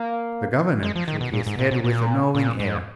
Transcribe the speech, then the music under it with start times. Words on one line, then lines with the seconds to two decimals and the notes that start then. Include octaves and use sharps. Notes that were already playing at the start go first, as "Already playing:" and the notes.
The governor shook his head with a knowing air.
Already playing: A#3
0.83 G#3
0.95 F3
1.08 D#3
1.21 B2
1.33 A#2
1.47 G#2
1.59 A#2
1.71 B2
1.84 A#2
2.35 A#2
2.60 G#2